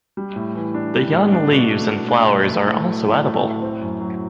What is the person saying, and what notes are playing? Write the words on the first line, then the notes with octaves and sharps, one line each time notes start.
The young leaves and flowers are also edible.
G3
A2
E3
D4
G3
A2
D4
B2
A3
B2
D4
B2
A3
A2
F#3
A2
A3
A2
C4
F#2
F#3